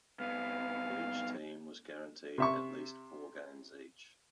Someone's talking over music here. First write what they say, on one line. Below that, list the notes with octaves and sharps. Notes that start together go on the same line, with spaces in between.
Each team was guaranteed at least four games each.
C2 B3 F5
C3 E5 C#6